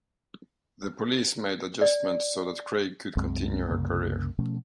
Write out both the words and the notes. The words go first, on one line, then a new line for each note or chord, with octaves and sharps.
The police made adjustments so that Craig could continue her career.
D5
C2 F#2 G#3 C4
C2 F#2 C#3 A#3
B2 F3 A3 C#4